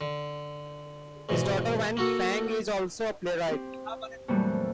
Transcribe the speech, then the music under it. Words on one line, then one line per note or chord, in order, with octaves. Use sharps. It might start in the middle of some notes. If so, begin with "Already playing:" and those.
His daughter Wan Fang is also a playwright.
D3
E2 G#2 B2
A#3 F#4 A4
C4 G4
F2 A#2 E3 F#3 G3 A3